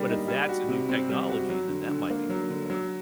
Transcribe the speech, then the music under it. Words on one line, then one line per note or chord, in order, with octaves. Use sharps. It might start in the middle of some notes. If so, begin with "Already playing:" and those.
but if that's a new technology, then that might be worthwhile.
Already playing: D3 G3 A#3
D#4
G3
F#4
C3
C4
G3
F#4
F#3
D3
D3
A#3
F#3
D3
F#3